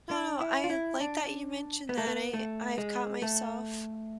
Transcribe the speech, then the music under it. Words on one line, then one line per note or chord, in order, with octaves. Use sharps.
Oh, I like that you mentioned that, I I've caught myself
D4
E4
F4
E4
D4
B3
A3
B3
A3
G#3
A3